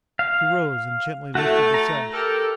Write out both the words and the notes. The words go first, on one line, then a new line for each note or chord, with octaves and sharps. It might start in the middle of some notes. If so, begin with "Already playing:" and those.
He rose and gently lifted the sash.
F5
A3 E4 F#4
A#5
G4 A4 A#4